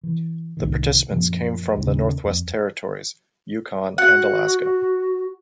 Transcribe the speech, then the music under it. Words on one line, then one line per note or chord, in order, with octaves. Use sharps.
The participants came from the Northwest Territories, Yukon and Alaska.
E3
C2 A2 D#3
F#2 A#2 F3
D#2 A2 C#3
F2
F#4 F#5